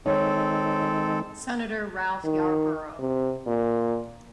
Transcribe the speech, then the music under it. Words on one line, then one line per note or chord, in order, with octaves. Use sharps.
Senator Ralph Yarborough.
D#3 G#3 C4 D#4 A4 C#5
D#3
C3
A#2